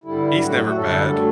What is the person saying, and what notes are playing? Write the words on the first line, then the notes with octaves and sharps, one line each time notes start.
He's never bad,
G2 D3 G3 E4
A2 F#3 A3 F#4
F#2 D3 G3 A4
F#3 A3